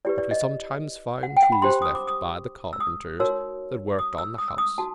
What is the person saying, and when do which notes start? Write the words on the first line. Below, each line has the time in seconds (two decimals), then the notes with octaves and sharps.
But we sometimes find tools left by the carpenters that worked on the house.
0.05 E4 G4 B4 D5
0.18 D5
0.31 D#5
1.23 F#5
1.37 G5
1.42 F#5
1.52 B5
1.62 D4 G4 C5 C6
1.82 D#6
1.95 D6
2.07 D#6
2.73 E6
2.80 D#6
3.20 D#4 F#4 A#4 C#5 E6
3.99 D#6
4.18 E6
4.38 D#6
4.48 E6
4.58 D#6
4.78 D#4 F#4 A5